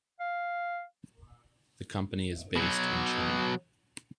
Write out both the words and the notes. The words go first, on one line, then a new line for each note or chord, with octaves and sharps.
The company is based in China.
F5
B2 F#3